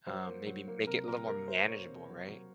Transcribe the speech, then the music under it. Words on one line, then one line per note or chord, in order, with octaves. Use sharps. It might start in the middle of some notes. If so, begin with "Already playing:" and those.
um, maybe make it a little more manageable, right?
F#3 C5
A#3
F#3
A#3
C3 A#4
A#3 A#4
A#3 A#4
A#3 C5
A#3 C#5
C3
F#3
F#3